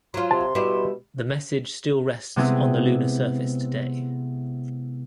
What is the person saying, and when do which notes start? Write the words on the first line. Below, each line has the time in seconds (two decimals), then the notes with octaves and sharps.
The message still rests on the lunar surface today.
0.14 F#3 F4 C6
0.31 C3 A5
0.55 B2 G3 E4
2.36 C3 G#3 B3 C4 E4 G#4